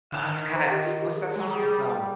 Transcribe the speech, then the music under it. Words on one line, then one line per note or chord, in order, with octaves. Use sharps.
Uh, it's kinda it's what's that song? It's, um,
D3
D#3
D#4
C5
G4
F4
G4
G#4
G4
G#3
G3 G#4